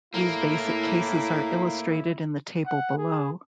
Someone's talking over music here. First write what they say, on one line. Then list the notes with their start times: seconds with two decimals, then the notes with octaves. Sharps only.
These basic cases are illustrated in the table below.
0.14 A2 A#3 E4
2.66 F#5
2.97 G#4